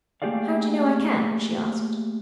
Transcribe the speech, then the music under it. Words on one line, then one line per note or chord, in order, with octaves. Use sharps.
"How do you know I can?" she asked.
A3 A#3 G4 G#4 D5 F5